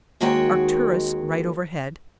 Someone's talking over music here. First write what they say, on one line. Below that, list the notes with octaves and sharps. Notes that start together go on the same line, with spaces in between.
Arcturus right overhead.
D#2 D#3 G#3 F#4 C#5 G5